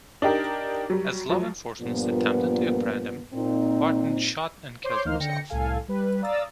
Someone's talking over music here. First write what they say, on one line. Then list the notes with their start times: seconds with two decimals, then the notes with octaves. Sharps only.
As law enforcement attempted to apprehend him, Barton shot and killed himself.
0.22 D4 D#4 G4 A#4
0.90 F#3 G3
1.29 F3 F#3
1.81 G2 A#2 F3 A#3 B3
3.34 A#2 C4 D#4
4.84 C5 C#5 C6 D6 G6
5.05 D2 E3 A#3 D#4 C5 F6
5.20 D3 G5 A#6 C#7
5.49 C2 A2 A4 F5 G#5
5.88 G3 B4
6.22 D5 F5 A#5 D#6 E6 A6